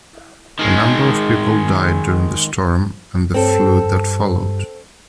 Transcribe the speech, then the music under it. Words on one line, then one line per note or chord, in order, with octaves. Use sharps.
A number of people died during the storm and the flood that followed.
D#3 G#3
G2 C4 A4